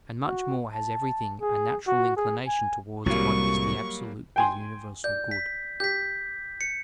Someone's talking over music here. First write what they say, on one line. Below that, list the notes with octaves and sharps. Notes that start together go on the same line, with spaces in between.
And much more has everything a natural inclination towards what is the absolutely universal good.
F#4
A5
G#4
F#4
G#4
G#5
C2 A2 F#3 G3 A#3 C#6
G5 G#5 C6
D5 G6
B6
G4 G6 B6
C#7